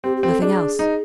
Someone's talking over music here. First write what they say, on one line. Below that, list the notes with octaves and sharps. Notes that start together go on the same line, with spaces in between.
Nothing else.
C4 G4
G4
C4
A4
D4 G#4
D#4